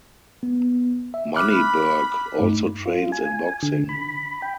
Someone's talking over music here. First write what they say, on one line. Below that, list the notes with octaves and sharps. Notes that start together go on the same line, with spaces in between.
Moneyberg also trains in boxing.
B3
E5
B5 D6 F6 F#6
G2 A3 D#4
F4
G#5
D3
B5
G5